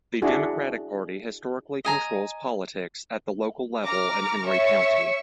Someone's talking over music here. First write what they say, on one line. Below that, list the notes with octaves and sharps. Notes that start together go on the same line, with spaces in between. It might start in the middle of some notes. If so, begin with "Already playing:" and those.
The Democratic Party historically controls politics at the local level in Henry County.
D4 E4 F#4 G#4
D#5 G#5 A#5
A#5 D6 F6
C#5 E5 C#6 E6